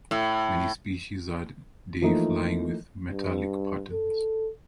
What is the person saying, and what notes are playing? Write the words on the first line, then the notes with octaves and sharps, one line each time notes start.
Many species are day-flying with metallic patterns.
A2
E3 F3 A3 A#3 D#4
G2
A4